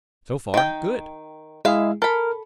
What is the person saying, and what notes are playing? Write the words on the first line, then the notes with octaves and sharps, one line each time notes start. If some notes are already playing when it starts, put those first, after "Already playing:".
So far, good!
D#3 G5
G#3 E4 G#4 E5 F5
A4 A#4 B5